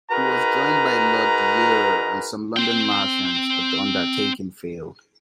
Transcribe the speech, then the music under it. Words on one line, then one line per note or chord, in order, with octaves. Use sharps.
He was joined by Lord Eure and some London merchants, but the undertaking failed.
D#4 F#4 G#4 A#4 B4 A#5
C4 G5